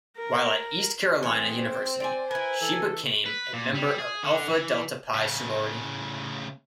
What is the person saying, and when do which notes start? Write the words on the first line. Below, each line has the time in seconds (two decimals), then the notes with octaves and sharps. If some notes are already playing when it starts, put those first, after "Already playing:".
While at East Carolina University she became a member of Alpha Delta Pi sorority.
0.17 A#4
1.23 E3 G#3 C4 C#4
1.59 C5
2.00 D5 G#5
2.31 E4 A#4 B4 G#5
2.61 E3 A4
3.26 B4
3.53 A#2
3.75 G3
3.98 G#4
4.23 D3
4.48 E3
5.14 A2 C#3